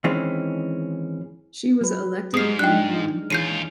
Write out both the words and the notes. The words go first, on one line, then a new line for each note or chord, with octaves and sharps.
She was elected an Hon.
D#3 E3 G#3 C4 C#4
F#3 B4
G#2 G3 G#3 D#6 F6 C7
D4 D#4 G5 F#6
D#2 E3 F4 G#4 C#5 G6 C7 D#7